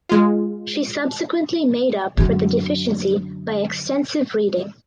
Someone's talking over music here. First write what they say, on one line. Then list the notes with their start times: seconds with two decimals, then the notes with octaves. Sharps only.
She subsequently made up for the deficiency by extensive reading.
0.09 G#3 F4
2.18 F#2 D3